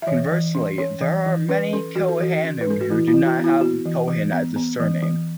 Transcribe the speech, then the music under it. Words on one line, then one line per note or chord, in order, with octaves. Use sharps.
Conversely, there are many kohanim who do not have Cohen as a surname.
E5
E3 C#5
E3
C#4
C#4 C#5
E3
E3
C#4 B4
C#4 A4
E3 F#4
A4
E3 F#4
C#4
B4
C#4 A4
F#4
E3 E4
E4
E3
F#4
B3
E4
B3 F#4
E3
E3
B3
B3
E3
E3